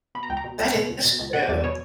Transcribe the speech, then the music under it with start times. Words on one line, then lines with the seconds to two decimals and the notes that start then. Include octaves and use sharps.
That is true.
0.15 B2 B5
0.23 A#5
0.29 C#2 G5
0.37 A#5
0.44 B2
0.60 C#2
0.75 B2
0.89 C#2
1.05 B2
1.19 C#2
1.33 B2 F#5
1.48 E2 D5
1.64 B2 C#5